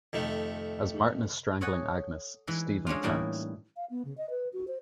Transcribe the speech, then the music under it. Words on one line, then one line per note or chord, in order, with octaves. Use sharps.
As Martin is strangling Agnes, Steven attacks.
F2 C3 D#3 A3
A4 C#5 D#5 F#5 G#5
E3 G#3
G#3 C#4 D4 F4
A2 E3 G3 A#3 D#4 E4
F5
B3
C#3
D#5
B4
F#4
C5